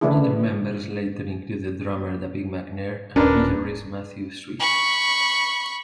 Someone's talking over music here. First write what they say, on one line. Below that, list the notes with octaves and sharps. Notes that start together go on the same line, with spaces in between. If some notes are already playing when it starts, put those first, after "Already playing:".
Other members later included drummer David McNair and guitarist Matthew Sweet.
C#3 E3 A3 D4 E4 G#4
D#1 C#4 D4 A#4 B4
B5 C#6